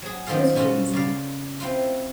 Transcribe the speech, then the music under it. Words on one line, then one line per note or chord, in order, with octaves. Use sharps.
it was crazy.
F#3 G#4
F#2 D#3 F3 F4 A4 F5
B2 C#4 F4 F#4 A4
C#3 D5 F5
C4 E4 F4